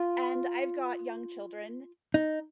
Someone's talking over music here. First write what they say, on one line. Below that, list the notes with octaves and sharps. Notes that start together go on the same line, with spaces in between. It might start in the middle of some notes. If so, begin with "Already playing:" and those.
And I've got young children,
Already playing: F4
D#4